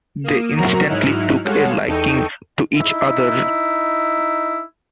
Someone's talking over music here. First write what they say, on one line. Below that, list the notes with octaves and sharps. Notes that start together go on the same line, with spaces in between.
They instantly took a liking to each other.
A#3 D#6 E7
C3 F#3 F#4 A#4 A#5 C#6
G#2 F#3 D#4 E4 F6 F#6
G3 G#3 A4 C#5 F5 F#5
E2 D#4 A4 G5 C#6 D#7
D#4 E4